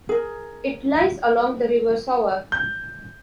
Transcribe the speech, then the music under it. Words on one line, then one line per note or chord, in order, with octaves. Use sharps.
It lies along the river Sauer.
G#4 A#4
G6